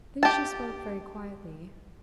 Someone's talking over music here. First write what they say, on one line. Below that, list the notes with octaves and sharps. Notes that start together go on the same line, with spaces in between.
Then she spoke very quietly.
G4 A5